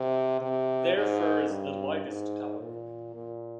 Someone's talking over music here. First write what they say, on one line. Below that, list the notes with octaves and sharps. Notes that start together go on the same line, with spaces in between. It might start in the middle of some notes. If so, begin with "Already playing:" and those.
Their fur is the lightest colour.
Already playing: C3
C3
G#2
G2
G#2
A#2
A#2